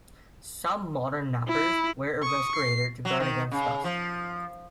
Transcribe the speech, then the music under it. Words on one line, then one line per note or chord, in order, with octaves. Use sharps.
Some modern knappers wear a respirator to guard against dust.
E4
C#6 D#6
C7
F#3
D#3
C#3
F3